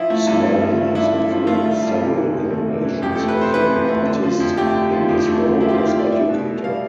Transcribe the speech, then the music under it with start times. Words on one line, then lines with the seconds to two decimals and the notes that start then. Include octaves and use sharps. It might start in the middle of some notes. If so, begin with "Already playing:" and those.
Sloan has influenced several generations of young artists in his role as educator.
Already playing: F3 E4
0.10 A3
0.27 G2
0.44 G2
0.62 F3
0.78 A3
0.95 G2 E4
1.13 G2
1.31 F3
1.47 A3 F4
1.64 G2
1.82 G2
1.99 C3
2.16 E3
2.34 F2
2.51 A3
2.69 C3
2.85 E3
3.02 F2 G4
3.15 A4
3.20 A3
3.28 B4
3.37 C3 C5
3.54 E3 B4
3.72 F2
3.89 A3
4.06 D3
4.23 F3
4.40 F2
4.57 A3 G4
4.75 D3
4.92 F3
5.09 F2
5.27 A3
5.44 D3
5.60 F3 E4
5.68 G4
5.73 F4
5.78 F2
5.87 F4
5.95 A3 D5
6.12 G3 E5
6.30 B2
6.47 B2
6.64 G3 F5